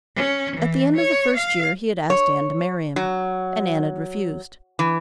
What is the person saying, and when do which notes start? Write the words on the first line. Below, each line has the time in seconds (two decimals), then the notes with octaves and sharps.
At the end of the first year he had asked Anne to marry him, and Anne had refused.
0.16 C#4
0.56 E3
0.96 C#5
1.37 F5
2.10 C#5
2.96 F#3
4.79 E3